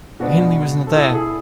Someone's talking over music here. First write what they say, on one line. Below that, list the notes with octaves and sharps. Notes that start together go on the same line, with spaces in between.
Hindley was not there.
B2 G#3 B3 D4 F#4
A4
E4 G#4
A4
E4 G#4